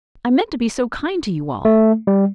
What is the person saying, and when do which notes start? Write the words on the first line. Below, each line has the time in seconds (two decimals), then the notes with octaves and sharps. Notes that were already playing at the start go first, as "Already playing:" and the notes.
"I meant to be so kind to you all."
1.65 A3
2.07 G3